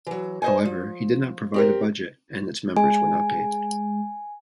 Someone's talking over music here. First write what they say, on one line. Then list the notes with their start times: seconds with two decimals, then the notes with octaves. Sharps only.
However, he did not provide a budget and its members were not paid.
0.07 E3 F#3
0.42 C5 D#5 G#5
0.65 F3
1.54 C4 G4 A#4
2.77 G#3 G#5